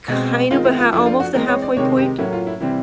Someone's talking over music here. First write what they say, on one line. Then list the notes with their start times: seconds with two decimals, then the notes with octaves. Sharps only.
kind of a ha almost a halfway point.
0.08 B2 G#3 C4
0.51 D#3 G#3 C4 F4
0.64 E4
0.79 F4
0.93 F3 A3 D4 E4
1.06 F4
1.20 F#4
1.35 E3 G#3 C4 A#4
1.48 C#5
1.62 D5
1.77 C3 D#3 G#3 C4 C#5
1.97 G4
2.18 A2 F#3 A#3 C#4 E4
2.33 F4
2.47 E4
2.60 C3 E3 G3 C4 E4